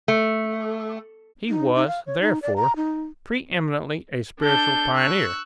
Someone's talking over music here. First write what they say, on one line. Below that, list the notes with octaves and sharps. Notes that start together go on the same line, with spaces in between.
He was, therefore, pre-eminently a spiritual pioneer.
A3
D#4
D#4
F5
C#5
D#4
D5
A#5
D#4
D4 A4 G6
C#6 E6 F#6